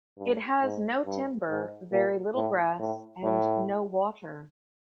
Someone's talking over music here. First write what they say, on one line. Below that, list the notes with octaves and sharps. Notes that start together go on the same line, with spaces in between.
It has no timber, very little grass, and no water.
G2
G#2
G2
G#2
A#2
A2
A2
A2